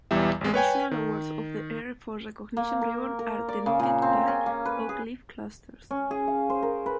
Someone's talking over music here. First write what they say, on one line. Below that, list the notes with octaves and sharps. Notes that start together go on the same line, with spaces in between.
Additional awards of the Air Force Recognition Ribbon are denoted by oak leaf clusters.
B1 E2 E3 G3 E5
A1 G#3
B4 C#5 G5 G#5
D#3
A#3
A#4
A#4
D5
C#3
A#2
C4
C#4
A#3
B4
G#4
C#4
G#4
F5
C5
A#4
B4